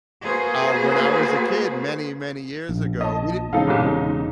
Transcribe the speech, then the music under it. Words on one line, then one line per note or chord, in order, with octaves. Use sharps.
Uh, when I was a kid many, many years ago, we didn't
A#3 F#4 G#4 B4 C5
A#1
D#5 A5
E1 C#3 D#4 A4 F5
C2 A#2
D#4